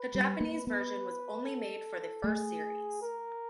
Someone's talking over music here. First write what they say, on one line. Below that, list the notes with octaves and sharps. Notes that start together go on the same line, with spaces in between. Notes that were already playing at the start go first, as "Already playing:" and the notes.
The Japanese version was only made for the first series.
Already playing: B4
G3
A#3
B3 B4
A4
A3 G#4
A#4